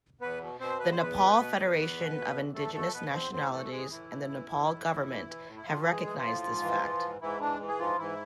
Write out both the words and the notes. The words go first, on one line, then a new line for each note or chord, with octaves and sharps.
The Nepal Federation of Indigenous Nationalities and the Nepal government have recognised this fact.
E2 B3 B4
B2
B2 C4 C5
E2 B4
C5
E2 B3 B4
B2
B2
E2
E2
B2
B2
E2
E2 A3 A4
B2 A3 A4
B2 B3 B4
E2 C4 C5
A2 C4 C5
E3 A3 A4
E3 G#3 G#4
A2 E3 E4
A2
E3
E3
A2
A2
E3
E3
A2
E4
A2 F3 F4
E3
G#3 G#4
E3
F3 F4
A2
G#2
E3
E3
G#2
G#2 E3 E4
E3 D4
E3
G#4
G#2 F3 F4
G#2 E3 E4